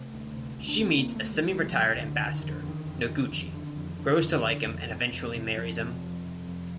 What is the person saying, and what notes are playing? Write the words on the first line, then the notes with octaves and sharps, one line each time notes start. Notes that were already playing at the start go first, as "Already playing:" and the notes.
She meets a semi-retired ambassador, Noguchi, grows to like him, and eventually marries him.
Already playing: C3 A3
D2
C3
D2
D4
C3 C4
A#3
D2
A3
C3
G3
D2 G3
F3
C3
D2
D3
D3 D#3
D#3
F2
D3
D3
D#3
F2
D3
F2
D3
F2
D3
F2 D3
D3
F2
C3
F2
C3
F2 F3
C3
F2
C3
F2